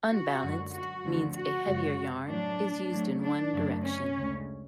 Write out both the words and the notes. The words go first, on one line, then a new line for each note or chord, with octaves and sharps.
Unbalanced means a heavier yarn is used in one direction.
F#4
F#2 D3 G#3
F#4
D2 D3 F3
F#4
F#2 C#3 G#3
A2 F#3 A3 D4
A2 F#3 A3
D4
F#2 C#3 F#3 A3
C#4
D2 C#3 G#3